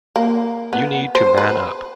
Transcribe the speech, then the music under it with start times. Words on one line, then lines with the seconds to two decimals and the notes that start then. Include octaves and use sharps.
You need to man up!
0.16 A#3
0.73 B3
1.15 C5
1.38 B4